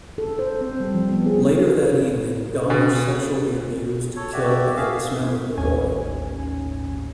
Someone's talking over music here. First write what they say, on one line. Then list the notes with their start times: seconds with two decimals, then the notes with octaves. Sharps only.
Later that evening Dahmer sexually abused, killed, and dismembered the boy.
0.18 A4
0.39 C5
0.61 C4
0.80 G3
0.94 F3
1.11 B3
1.26 G#4
2.70 B2
4.16 A4 C#5
4.33 F#4 G4 D5 E5
4.77 G#4 E5 F5
5.57 A1 D#2 C#4 G#5